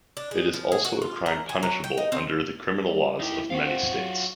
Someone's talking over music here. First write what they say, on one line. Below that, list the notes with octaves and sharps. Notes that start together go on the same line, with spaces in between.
It is also a crime punishable under the criminal laws of many states.
D4
G#4
F3
G#4
F#4
F4
A#4
G#5
F#3
G5
D#4
C4
G3
D#3 E4 G4
C4 F4 F#4
F#3